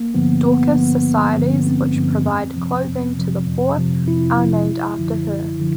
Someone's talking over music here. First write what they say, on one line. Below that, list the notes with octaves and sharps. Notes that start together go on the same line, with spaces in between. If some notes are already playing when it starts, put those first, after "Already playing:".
Dorcas societies, which provide clothing to the poor, are named after her.
Already playing: G#1 A#3
G2 D3 F3 B3
G#1 B3
G2 D3 F3
G#1
G2 D3 F3
G#1 C4
G2 D3 F3
F2
C3 F3
F2
C3 F3
F2
C3 F3
F2 E4
C3 F3
G1
F#2 D3 F3
G1
D3 F3